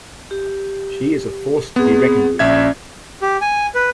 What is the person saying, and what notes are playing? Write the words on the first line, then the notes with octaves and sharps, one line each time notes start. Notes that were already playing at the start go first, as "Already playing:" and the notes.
She is a force to be reckoned with.
G4
B3 C4 G#4
A#1 C#4 D5 E5 G#6
G4
G#5
B4